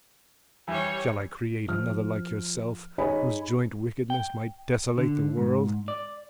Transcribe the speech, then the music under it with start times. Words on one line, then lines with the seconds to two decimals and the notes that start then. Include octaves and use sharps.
Shall I create another like yourself, whose joint wickedness might desolate the world.
0.68 E3 G3 C#5
1.68 F3 F6
2.98 D#4 G#4 C#5 D#5 G#5 B5
4.10 G5
4.98 D3
5.37 G#2
5.88 D5